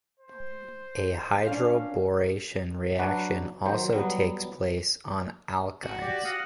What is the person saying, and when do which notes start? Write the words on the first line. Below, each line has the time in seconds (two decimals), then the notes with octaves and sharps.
A hydroboration reaction also takes place on alkynes.
0.19 C5
1.46 A#3 C#4 D4 F5
2.99 F#3 D4 F#4 B4
3.66 D#3 F#3 C5
3.93 F#3 G3 B3
5.83 F#4
6.01 G4 D5
6.24 F5 F#5 D#6